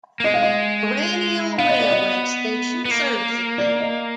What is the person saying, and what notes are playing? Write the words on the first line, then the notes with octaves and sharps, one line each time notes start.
Eraniel Railway Station serves the town.
A#3
G#3 D#5
F5
D#5
B3 F5
D#5
D5
D#5
B3
A#3
D5
D#5